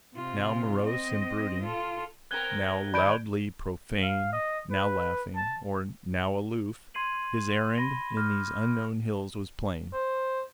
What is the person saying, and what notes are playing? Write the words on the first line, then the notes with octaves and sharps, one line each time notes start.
Now morose and brooding, now loudly profane, now laughing or now aloof, his errand in these unknown hills was plain.
C3 F4
C4 D#5
F4 A4
B3 C4 A#4 F#6 G#6 G7
D#3 D5 B5 G6 D7
F5
D#5
B4
A5
C6 G#6 C7 D#7 F#7
B5 A#6 D#7 G7
D6 F6 G6 A#6
C5